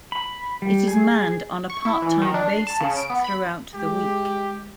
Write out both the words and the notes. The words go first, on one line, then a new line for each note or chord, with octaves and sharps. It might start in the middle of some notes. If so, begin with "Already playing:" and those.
It is manned on a part-time basis throughout the week.
B5
G3
G#4
C#6
E4
E3
D#3
D4
C7
A5
C#3
D7
B3
B5
G#3 G4